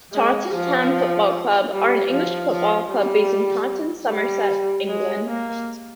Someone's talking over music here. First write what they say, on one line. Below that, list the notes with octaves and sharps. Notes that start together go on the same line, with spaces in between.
Taunton Town Football Club are an English football club based in Taunton, Somerset, England.
G#3
F3
G3
F3
F3
G3
G3
G#3
A#3